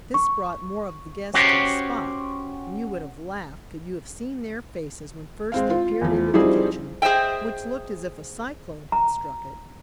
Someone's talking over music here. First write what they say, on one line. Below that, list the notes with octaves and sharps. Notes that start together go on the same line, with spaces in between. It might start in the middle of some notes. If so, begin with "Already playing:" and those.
This brought more of the guests to the spot, and you would have laughed could you have seen their faces when first they peered into the kitchen, which looked as if a cyclone had struck it.
C#6
C#4 F#4 G4 C5 C#5
G#3 C4 F5
F4
E2 F3
F3 G3 C4 D#4 E4 G#4
G#4 C5 D#5 E5 G5
A#5